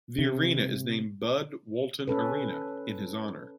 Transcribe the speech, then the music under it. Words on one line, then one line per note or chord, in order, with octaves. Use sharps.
The arena is named Bud Walton Arena in his honor.
C3
C#4 A4 B4